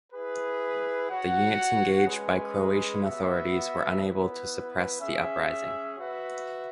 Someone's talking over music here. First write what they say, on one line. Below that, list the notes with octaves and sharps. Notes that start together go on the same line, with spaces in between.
The units engaged by Croatian authorities were unable to suppress the uprising.
E4 G#4 B4
F#4 C#5 F#5
G#3 C#4 G#4 B4
B3 F#4 E5
B3 E4 B4
C#4 G#4 E5
F#4 B4 E5